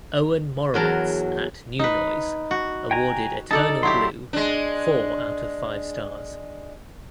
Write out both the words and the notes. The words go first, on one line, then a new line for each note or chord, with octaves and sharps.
Owen Morawitz at "New Noise" awarded "Eternal Blue" four out of five stars.
E2 F#3 A#4 A5
D#4 B4
F#4
G5 G#5 A#5
D#4 A4 D5 A5
F#3 E4 G4 C6
G#3 D4